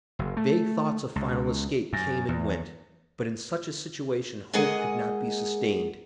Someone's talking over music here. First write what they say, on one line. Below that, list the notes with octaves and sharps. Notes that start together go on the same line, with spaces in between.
Vague thoughts of final escape came and went; but in such a situation hope could not be sustained.
F#1
A3
C#2
F#2
E2
G#3 A#3 G#4 D#5 F#5 G#5